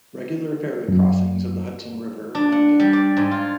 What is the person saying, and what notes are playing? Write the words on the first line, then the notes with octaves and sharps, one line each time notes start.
Regular ferry crossings of the Hudson River run daily.
F#2
D4
F#5
G3
D5
G#2
F4